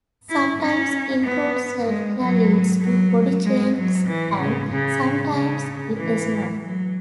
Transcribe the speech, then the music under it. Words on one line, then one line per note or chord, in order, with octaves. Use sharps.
Sometimes improved self-care leads to body changes and sometimes it does not.
E4
C#4
B3
G#3
F#3
F#3
G#3
F#3
E3
C#3
C#3
C#3
E3
F#3